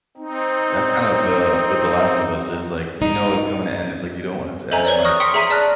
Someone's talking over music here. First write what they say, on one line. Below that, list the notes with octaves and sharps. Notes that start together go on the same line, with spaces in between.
That's kinda the what The Last of Us is, like, you know it's coming to end, it's, like, you don't want it to end, and like,
C4 D#4
D#4
A4 C5 E5 G#5 A#5
B4 C#5 D5
C#6 D#6 F6 F#6 A#6
G5 C6 D#6 B6 C#7
G#4 E5 A#5 C6 B6 D#7
D5 A5 F6 F#6 A#6